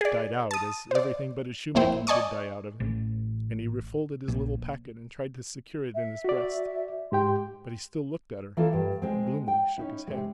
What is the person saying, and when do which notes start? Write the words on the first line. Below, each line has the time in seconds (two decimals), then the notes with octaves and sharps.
It died out, as everything but his shoemaking did die out of him, and he refolded his little packet and tried to secure it in his breast; but he still looked at her, and gloomily shook his head.
0.01 G#4 D5
0.51 A5 D#6
0.91 C5 D5
1.75 G#1 F2 A#3 E4 C5 G5
2.07 D5 D#5 G#5 A5 C#6 D#6
2.80 A1
4.28 A#1
5.95 E5
6.24 F#4 D5
7.12 G#2 G4 G5 C6
8.57 E3 A#3 D4 F4 A4
8.73 G2
9.02 G#3 C4
9.48 G5
9.78 C#4 D#4 E4
10.07 C3 G#3